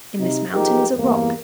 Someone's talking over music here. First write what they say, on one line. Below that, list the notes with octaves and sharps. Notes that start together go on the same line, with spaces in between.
In this mountain is a rock.
C3 D#4
B1 F3 D#4 G4 G#4 A#4
E2 G2 A#3